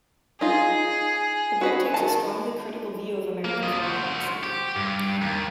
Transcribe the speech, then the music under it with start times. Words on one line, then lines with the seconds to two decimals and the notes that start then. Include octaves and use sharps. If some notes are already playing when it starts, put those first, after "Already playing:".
The book takes a strongly critical view of American foreign policy.
0.41 D#4 F4 G#4
1.61 F#4 B4 D#5
1.94 D#3 A5
3.45 A#3
3.63 F4 D#5
3.80 F#4 C5
4.43 G4
4.76 G2
5.22 D#2